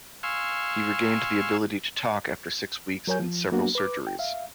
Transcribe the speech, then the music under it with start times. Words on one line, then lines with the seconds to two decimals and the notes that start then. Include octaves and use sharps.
He regained the ability to talk after six weeks and several surgeries.
0.23 F5 G#5 C6 C#6 E6
3.07 F#3 A#4 C#5 G#5 G6
3.20 F3
3.52 F#3 A#3 B3 D4 F#4
3.75 B4 D6
4.07 G5
4.19 E5 F5